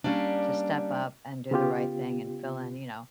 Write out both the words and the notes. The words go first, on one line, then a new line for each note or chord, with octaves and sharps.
to step up and do the right thing and fill in, you know,
G3 A#3 C#4 D4
C#3 B3 F4 G4